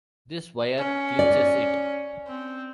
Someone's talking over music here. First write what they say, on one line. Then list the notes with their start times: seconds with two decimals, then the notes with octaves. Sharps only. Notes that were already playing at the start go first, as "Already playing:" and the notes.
This wire clinches it.
0.77 C#4
1.19 D5
2.27 C4